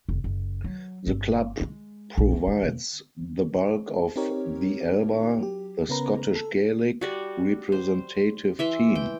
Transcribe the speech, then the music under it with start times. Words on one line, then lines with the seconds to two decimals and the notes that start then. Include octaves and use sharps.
The club provides the bulk of the Alba, the Scottish Gaelic representative team.
0.09 F1
0.24 F#1
0.64 F#3
1.07 G1
1.60 G#3
2.18 A#1
2.32 A3
2.47 D#3
2.62 E1
4.16 C4 D#4 G4 A#4 C#5
5.39 F#3 G4
5.89 C#3 B3 C#4 A#4 B4 A#5
6.35 A4
7.01 G3 F#4
7.72 C5
8.59 E3 E5 C6
8.95 G5